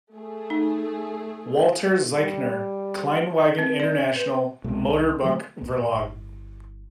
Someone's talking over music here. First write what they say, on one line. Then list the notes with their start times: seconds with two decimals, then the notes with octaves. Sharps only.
Walter Zeichner: Kleinwagen International, Motorbuch-Verlag.
0.15 A3 G#4
0.50 D#4
2.16 G3
3.59 C4
3.80 D5
4.16 B4
4.64 C2 B2 G#3
4.87 C2
5.22 D3 F#3 A3
5.62 E2 A2
5.94 G1 E4